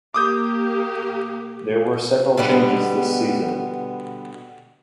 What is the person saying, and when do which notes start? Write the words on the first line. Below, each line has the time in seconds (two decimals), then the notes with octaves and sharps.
There were several changes this season.
0.14 A#3 G4 D6 D#6 G6
2.37 B2 D3 G3 B3